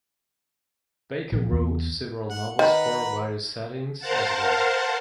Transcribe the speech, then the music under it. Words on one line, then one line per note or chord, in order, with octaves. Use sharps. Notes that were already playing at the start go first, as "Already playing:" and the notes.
Baker wrote several novels for various settings as well.
A#1
E2
F#5
D#3 B4 F#5 A#5
A#4 C5 F5 F#5 A5